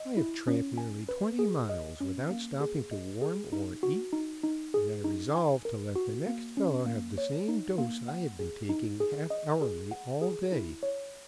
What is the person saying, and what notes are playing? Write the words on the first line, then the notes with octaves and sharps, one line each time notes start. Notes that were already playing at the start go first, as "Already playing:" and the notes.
I have tramped nearly twenty miles without stopping to warm or eat; and I resolved to let the next fellow have the same dose I have been taking half-hourly all day.
Already playing: D#5
E4
C#4
G#5
B4
G#4
D#5
C#4
A#3
G#4
D#5
G#4
D#4
F#4
D#4
D#4
G#4
D#4
G#5
A#4
F#4
A#3
C#4
A#3
C#5
D#4
A#3
F#5
G#4
D#4
G#4
D#5
G#4
F#5
G#4
E4
C#5